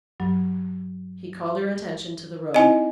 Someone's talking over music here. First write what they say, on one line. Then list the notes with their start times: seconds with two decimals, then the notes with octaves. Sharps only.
He called her attention to the road.
0.20 G2 F#3
2.54 C4 D#4 E4 D#5 G#5